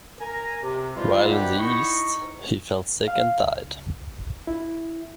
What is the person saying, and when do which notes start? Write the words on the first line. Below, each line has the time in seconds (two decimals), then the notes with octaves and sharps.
While in the east, he fell sick and died.
0.20 A#4 G#5 A#5
0.62 C3
0.96 E3 F3 G3 G#3 D#4 F4
1.29 C3 D#3 D5 F#5 G5 B5
1.58 D#4 E4 C#6
3.08 F5
3.44 C#2
4.47 E4